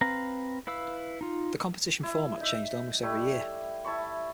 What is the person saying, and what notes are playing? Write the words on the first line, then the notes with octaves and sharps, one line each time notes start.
The competition format changed almost every year.
C4 B4 F5 A#5
E4 B4 F5 E6
D#4 F4
E4
D#4 E5
G3 A3 E4
E4 A5 B5 C#6